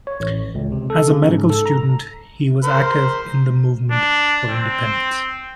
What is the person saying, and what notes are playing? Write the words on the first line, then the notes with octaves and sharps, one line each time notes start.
As a medical student he was active in the movement for independence.
C#5
A1
C#2
C3
A4
C#3
G#2
A4
A#5
A#4 C5
D4
C4